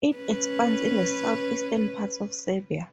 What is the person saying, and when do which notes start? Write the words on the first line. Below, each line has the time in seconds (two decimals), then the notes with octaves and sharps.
It expands in the south-eastern parts of Serbia.
0.16 C#4 B4